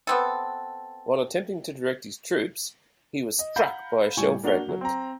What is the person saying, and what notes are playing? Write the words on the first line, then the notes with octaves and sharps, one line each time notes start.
While attempting to direct his troops, he was struck by a shell fragment.
B3 C4 A4
D#5
F5 F#5 A#5 B5 G6
A2 G3 G#5 C#6
A#3 D4 F#4 F7 G7
F#3
C4 A#5